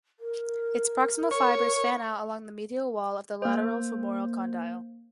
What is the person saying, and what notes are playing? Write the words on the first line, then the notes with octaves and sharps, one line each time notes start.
Its proximal fibers fan out along the medial wall of the lateral femoral condyle.
A#4
C#5
A#3 C5